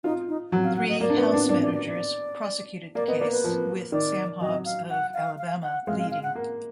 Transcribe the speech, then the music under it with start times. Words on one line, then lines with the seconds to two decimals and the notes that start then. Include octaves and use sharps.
Three House managers prosecuted the case, with Sam Hobbs of Alabama leading.
0.04 D#4 F4
0.28 D#4
0.52 F#3
0.64 F5
0.77 F#5
0.89 D#5
1.01 A#3 D5
1.10 D4
1.17 B3
1.26 D5
1.34 D4
1.49 D4 D5
1.62 D5
1.74 D5
1.86 D5
2.95 A#3 D5
3.08 B3 D#5
3.19 A#3 D5
3.32 B4
3.44 F3
3.92 D#3 D5
4.41 F#3 D#5
4.65 F5
4.90 F#5
5.14 F5
5.38 F5
5.63 F#5
5.87 G#3 F5
5.99 F5
6.11 F5
6.23 F#5
6.35 A#3